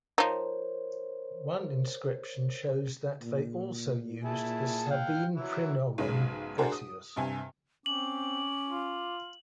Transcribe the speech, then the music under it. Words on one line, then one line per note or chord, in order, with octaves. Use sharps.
One inscription shows that they also used the Sabine praenomen "Attius".
F3 D#4 A#4 C5 C#5
A#2
E4 G#4 A5
F5 G5
E3 F#3 E5
B1 G#2 C#3 G#3 B4
D4 F#4 G#4 A#4 C5 F#5
D#6
G2 C3 G#5
C4 C#4 D6 F#7
F4